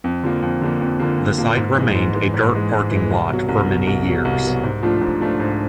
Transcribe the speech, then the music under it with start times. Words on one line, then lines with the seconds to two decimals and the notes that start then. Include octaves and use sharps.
The site remained a dirt parking lot for many years.
0.04 F2
0.23 D3 F3 A#3
0.42 F2
0.61 D3 F3 A#3
0.81 F2
1.00 D3 F3 A#3
1.18 F2
1.38 D3 F3 A#3
1.57 G#2
1.76 E3 G#3
1.95 G#2
2.14 E3 G#3
2.34 G#2
2.53 E3 G#3
2.72 G#2
2.91 E3 G#3
3.11 C2
3.29 B2 F#3
3.49 C2
3.68 B2 F#3
3.87 C2
4.06 B2 F#3
4.25 C2
4.44 B2 F#3
4.63 G#2
4.83 F3 A3 D4 F4
5.01 G#2
5.21 F3 A3 D4 F4
5.40 G#2